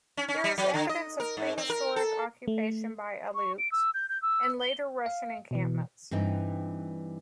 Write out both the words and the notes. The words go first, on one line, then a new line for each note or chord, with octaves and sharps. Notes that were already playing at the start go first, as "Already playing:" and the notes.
There is evidence of prehistoric occupation by Aleuts and later Russian encampments.
C#4
C#4
G3
F#3
D3
D#5
A#4
G#2
C4
A#4
A4
A3
C#6
D7
E6
G6
G6
E6
G7
F5
B2 E3
G2 E3 C4 D#4 G5